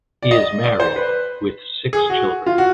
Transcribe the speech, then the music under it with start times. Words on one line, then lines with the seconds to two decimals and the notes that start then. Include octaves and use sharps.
He is married with six children.
0.23 D5
0.31 D#5
0.64 D5
0.80 C5
0.96 B4
1.93 G#4
2.10 F#4
2.46 F4
2.58 F#4